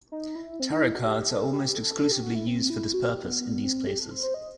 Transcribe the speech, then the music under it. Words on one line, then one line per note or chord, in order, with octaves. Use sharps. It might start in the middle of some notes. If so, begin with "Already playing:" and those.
Tarot cards are almost exclusively used for this purpose in these places.
D#4
E4
C4
D#4
E4
F#4
G4
A4
G4
A4
A4
G4
F#4
E4
C4
E4
F#4
G4
B3
B3
C4
G4
A4
C5
C5
D#5